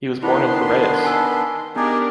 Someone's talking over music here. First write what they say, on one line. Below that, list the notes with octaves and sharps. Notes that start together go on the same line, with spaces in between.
He was born in Piraeus.
D#3 B3 D4 E4 B4 C6
G#5 A5 E6
B3 D4 D#4 G4 G#4 A#4 D6